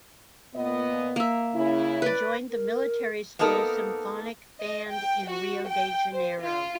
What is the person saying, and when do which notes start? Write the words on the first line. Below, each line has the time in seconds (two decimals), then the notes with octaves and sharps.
He joined the Military School Symphonic Band in Rio de Janeiro.
0.55 A#2 B3 D#5
1.16 A#3 E5
1.55 C#3 E4
2.02 B4 D5
2.50 A#4
3.39 A#3 B3 D#4 A4 A#4
4.59 D#5
4.90 G5
5.30 F#4
5.67 G5
6.12 C5
6.42 F4